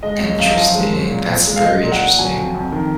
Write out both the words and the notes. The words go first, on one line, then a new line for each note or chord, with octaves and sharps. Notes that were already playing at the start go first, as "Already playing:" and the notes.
Interesting, that's very interesting.
G#3 D#5
F#2 D#5
F#2 F5
D#5
F3 F5
G#3
F#2
A#2
A#2
G#3
F5
G#3 D#5
A#2
F#5
A#2
F#3 G#5
F2
F2
D#3